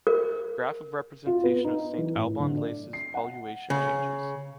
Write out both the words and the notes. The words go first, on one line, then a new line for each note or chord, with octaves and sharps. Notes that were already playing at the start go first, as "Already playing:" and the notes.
Graph of representation of Saint Alban Leysse’s poluation changes.
A#4
F4
B3
D#4
E3
A2
D3
D5
C7
F#5
C#3